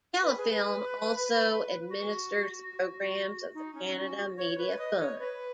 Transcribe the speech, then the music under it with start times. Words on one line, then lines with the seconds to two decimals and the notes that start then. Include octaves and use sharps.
Telefilm also administers the programs of the Canada Media Fund.
0.23 B4
0.37 G#4
0.50 B4
1.89 F#4
3.54 D#4
3.75 C#4
3.96 F#4
4.37 C#5
4.58 B4
4.79 D#5
4.99 C#5
5.19 B4